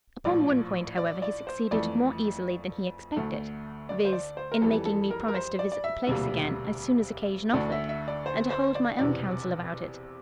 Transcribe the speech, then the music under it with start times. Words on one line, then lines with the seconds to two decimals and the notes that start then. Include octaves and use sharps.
Upon one point, however, he succeeded more easily than he expected, viz. in making me promise to visit the place again, as soon as occasion offered, and to hold my own counsel about it.
0.25 A#1 A2 F3 D5
0.98 D5
1.22 D5
1.47 C5
1.71 F2 E3 A3 D5
3.16 D2 D3 A3
3.89 D5
4.05 C5
4.13 D5
4.37 C5
4.52 A#4
4.62 F2 E3 G3 A4
4.86 A4
5.11 A#4
5.28 A#4
5.34 C5
5.59 D5
5.72 D5
5.84 E5
6.07 E1 D2 C3 G3 A#3
7.53 D2 D3 A3 D5
7.72 E5
7.89 E5
8.08 D5
8.26 C5
8.50 C5
8.75 D5
8.98 E1 E2 C3 D5